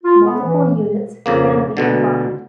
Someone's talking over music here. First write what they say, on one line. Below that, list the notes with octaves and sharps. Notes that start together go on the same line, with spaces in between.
Multiple units can be combined.
F4
B3
E3
F2 C#3 A#3
D2 B2 D3